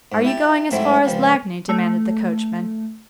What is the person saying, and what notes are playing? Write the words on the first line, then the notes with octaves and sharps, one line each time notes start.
"Are you going as far as Lagny?" demanded the coachman.
G#2
E4 G4 A5
G#2 F#3 A3 C4 E4
C#2 F3 G3
A3